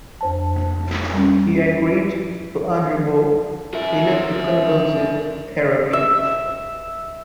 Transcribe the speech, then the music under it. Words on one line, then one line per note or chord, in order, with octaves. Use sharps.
He agreed to undergo electro-convulsive therapy.
F2 C5 A5
G3 C#4
A#4 E5
E5